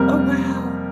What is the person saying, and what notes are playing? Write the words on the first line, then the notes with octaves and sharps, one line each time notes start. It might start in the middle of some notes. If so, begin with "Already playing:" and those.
Oh, wow.
Already playing: F2 C3 G3 A#3 A#4